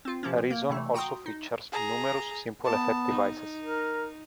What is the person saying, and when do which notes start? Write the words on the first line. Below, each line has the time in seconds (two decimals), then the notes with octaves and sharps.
Reason also features numerous simple effect devices.
0.05 C4 F4
0.23 C3 F3 A#3 C#4
0.50 A#3
0.70 C3 E3 A3
0.94 F#4 G5 A#5 C6 D#6
1.26 D#4
1.72 G#4 A#5
2.64 B3 A5
3.08 D#4
3.61 A#4